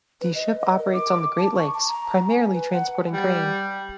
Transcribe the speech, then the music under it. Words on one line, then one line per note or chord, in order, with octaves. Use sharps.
The ship operates on the Great Lakes primarily transporting grain.
B4
D#5
D#5
A#4
D6
A5
C#6
A5
A#5
G#5
B4
F#5
G3